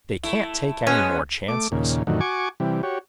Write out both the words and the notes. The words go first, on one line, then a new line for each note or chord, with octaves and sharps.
They can't take any more chances.
A3 E4
G#3 B3 C#4
A3 D6
D#2 A#2 C#3
F2 A2 D3 D#3 F#3
F#4 G#5 C#6 D6
C3 E3 G3
F#4 G4 C#5